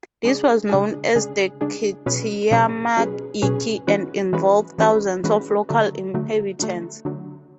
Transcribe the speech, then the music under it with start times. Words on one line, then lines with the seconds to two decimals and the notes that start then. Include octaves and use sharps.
This was known as the "Kitayama Ikki" and involved thousands of local inhabitants.
0.24 C#3 G#3 D4 G#4
0.69 C#3 G#3 D4 G#4
1.15 C#3 G#3 D4 G#4
1.61 C#3 G#3 D4 G#4
2.06 B2 F#3 C#4 G#4 B4
2.51 B2 F#3 C#4 G#4 B4
2.97 B2 F#3 C#4 G#4 B4
3.42 B2 F#3 C#4 G#4 B4
3.87 E3 G#3 C#4 F#4 B4
4.33 E3 G#3 C#4 F#4 B4
4.78 E3 G#3 C#4 F#4 B4
5.24 E3 G#3 C#4 F#4 B4
5.69 D3 F#3 A3
6.14 D3 F#3 A3
6.59 D3 F#3 A3
7.05 D3 F#3 A3